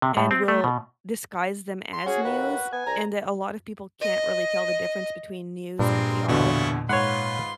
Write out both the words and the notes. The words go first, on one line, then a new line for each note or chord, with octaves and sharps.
and will disguise them as news, and that a lot of people can't really tell the difference between news and PR
C3
A2
C4
A3
B2
C6
C#4 F#4 G#4
D#2 B4
B3 G#5
C2 A#5
D#5
G2 A#2 G#3 C4 A#4
E2 B2 D3 E4 F4 C#5
G#2 F4 B4 C#5 F#5 C6